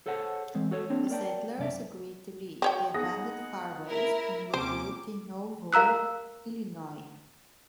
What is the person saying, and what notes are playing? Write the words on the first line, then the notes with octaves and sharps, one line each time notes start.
The settlers agreed to leave; they abandoned Far West and regrouped in Nauvoo, Illinois.
G#4 A4 C5 C#5 F#5 A5
E3 G#3 C4
F#4 A4 C#5
A#3 C4 D4 C#5
A#4 D5 G5 A5
F#2 C3 D5 E5
C4 F#4 C#5 G5
B3 D#4 G#4 F#5 D#6 A#6
E4 A#4
D#2 C3 C#4 C5 D6
A#4 F5 A#5 E6 F#6